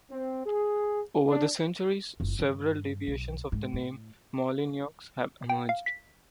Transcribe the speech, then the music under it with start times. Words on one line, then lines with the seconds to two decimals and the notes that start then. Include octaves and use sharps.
Over the centuries, several deviations of the name Molyneaux have emerged.
0.11 C4
0.46 G#4
1.29 D4
2.20 F#1 F4
2.39 G2 D#3
3.07 B1
3.52 G#2
3.74 A2
5.49 G5
5.69 F5
5.86 B6